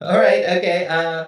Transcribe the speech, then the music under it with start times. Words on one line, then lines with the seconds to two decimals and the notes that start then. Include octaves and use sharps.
alright, okay, uh
0.05 C4